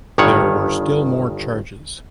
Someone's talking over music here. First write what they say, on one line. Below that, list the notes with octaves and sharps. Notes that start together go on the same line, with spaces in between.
There were still more charges.
G1 G2 D#3 C#5 F#5